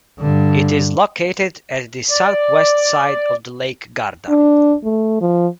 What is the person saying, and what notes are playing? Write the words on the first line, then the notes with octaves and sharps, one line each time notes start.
It is located at the southwest side of the Lake Garda.
G2 D3
D5
D4
A3
F3